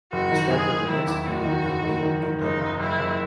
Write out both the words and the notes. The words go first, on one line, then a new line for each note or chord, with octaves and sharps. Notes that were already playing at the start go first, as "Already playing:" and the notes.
He started the next game away to Dublin.
F#1 F#4
D#3
F#1 G#4
F#1
D#3 E4
E2
F#1 F#4
D#3
F#1
D#3
D#3
D#3
F#1 D#4
F#1
F#1 E4
F#1